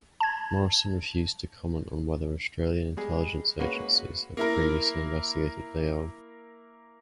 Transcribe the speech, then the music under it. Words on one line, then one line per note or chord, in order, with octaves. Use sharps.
Morrison refused to comment on whether Australian intelligence agencies have previously investigated Liu.
A5 G#6
G3 G#3 G#4
G#3 A#3 C#4 F#4 B4 F#5
A#3 E4 A#4